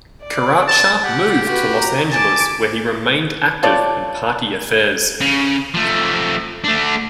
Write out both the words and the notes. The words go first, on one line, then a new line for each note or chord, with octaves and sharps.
Keracher moved to Los Angeles, where he remained active in party affairs.
D5
A5
G4 F#5
F#4 B4
A#5
G#5 A5 D6
F4 A4 C#5 D5
C#3
F3 A3
A3 D4